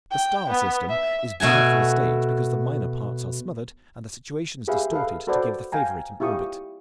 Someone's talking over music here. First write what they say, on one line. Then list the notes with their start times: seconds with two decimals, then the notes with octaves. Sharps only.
The star-system is bad for the stage because the minor parts are smothered and the situations distorted to give the favorite an orbit.
0.11 G5
0.50 B3
0.89 E5
1.40 B2 A3 F#4 G#5
4.68 F4 G4 G#4 B4 E5 F5
4.91 A4 B4 D#5 F5
5.27 F#4 A4 B4 C5 D5
5.72 F5 G5 G#5 A#5
6.20 E4 F4 G4 C#6 D#6